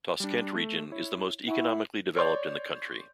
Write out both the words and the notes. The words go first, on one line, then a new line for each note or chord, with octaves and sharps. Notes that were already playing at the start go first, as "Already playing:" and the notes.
Toshkent Region is the most economically developed in the country.
G3 D4
A3
E4 C#5
E4 F#5 G#5 C#6
C#5 D5 C6 G6